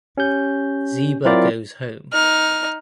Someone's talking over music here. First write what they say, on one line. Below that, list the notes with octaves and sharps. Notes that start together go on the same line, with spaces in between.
Zeba goes home.
C#4 G4 G6
F#3 C4 E4 F4 A#4 D5
D#4 F6